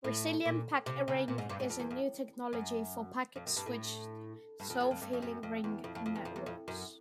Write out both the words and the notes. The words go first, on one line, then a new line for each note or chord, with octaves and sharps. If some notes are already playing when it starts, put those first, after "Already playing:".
Resilient Packet Ring is a new technology for packet-switched self-healing ring networks.
A2
A#2
C3
C#3
A#2
G#2
G2
G#2
F2
E2
F2
F#2
F2
F#2
G2
A2
G2
F2
F2
F2
G2
F2
F#2
F2
E2
F2
F2
F2
E2
F2
E2
F2
F#2